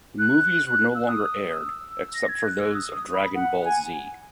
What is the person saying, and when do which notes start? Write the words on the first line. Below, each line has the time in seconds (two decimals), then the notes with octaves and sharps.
The movies were no longer aired, except for those of "Dragon Ball Z".
0.19 F#6
0.95 E6
1.08 D#6
1.54 E6
2.14 A#6
2.29 G#6
2.43 F#6
2.59 E6
2.75 D#6
2.90 D#6
3.14 B5
3.35 F#5
3.64 G#5